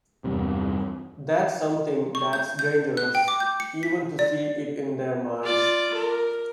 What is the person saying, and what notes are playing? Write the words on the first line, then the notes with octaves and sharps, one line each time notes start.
That something that's dangerous, even to see it in their minds.
E2 G2 C3
C#6
G6
G6
F#6
G5
D6
G6
C#7
B6
D5
F4 D5
A#4